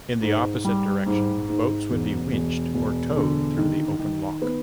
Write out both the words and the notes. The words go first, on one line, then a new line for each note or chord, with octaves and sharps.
In the opposite direction boats would be winched or towed through the open lock.
G#2
G3
G#2
G#2
E1
E1
E1
D3
D#3
D#3
B3